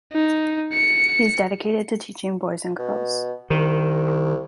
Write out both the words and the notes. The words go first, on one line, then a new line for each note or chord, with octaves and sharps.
He is dedicated to teaching boys and girls.
D#4
C#7
B2
C2 D#3